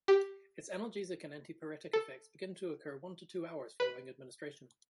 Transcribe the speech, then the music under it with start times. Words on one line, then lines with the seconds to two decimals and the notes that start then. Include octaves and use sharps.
Its analgesic and antipyretic effects begin to occur one to two hours following administration.
0.08 G4
1.93 A4
3.80 B4